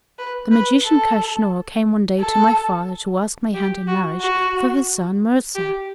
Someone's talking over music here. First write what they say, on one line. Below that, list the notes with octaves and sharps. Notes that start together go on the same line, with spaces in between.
The magician, Kaschnur, came one day to my father, to ask my hand in marriage for his son Mirza.
B4
B4
A4
A4
G4
F#4
F#4
G4